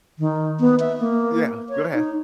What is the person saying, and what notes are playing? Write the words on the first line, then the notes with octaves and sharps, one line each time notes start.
Yeah, go ahead.
D#3
B3
E5
A#3
C#5
D#4